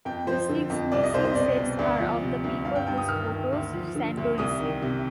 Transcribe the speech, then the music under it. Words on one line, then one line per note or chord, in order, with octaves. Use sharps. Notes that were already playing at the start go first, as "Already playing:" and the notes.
The six missing sets are of the people whose photos Sandow received.
F2 G5
F3 C5
D3
F2
C2 D5
D#5
C2 C5
C5
B2 D5
B2
D2 D5
F3
C3
D2
G2 F5
G5
G2 G5
D#6
D#3 F6
D#3
D2
F3
D3
D2
C2 D#6
D#3
C3